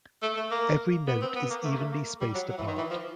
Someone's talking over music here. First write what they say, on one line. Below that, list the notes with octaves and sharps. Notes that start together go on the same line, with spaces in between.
Every note is evenly spaced apart.
A3
A3
A#3
B3
C4
B3
A#3
A3
A#3
A3
A#3
G3
F#3
F#3
E3
D#3
E3
F3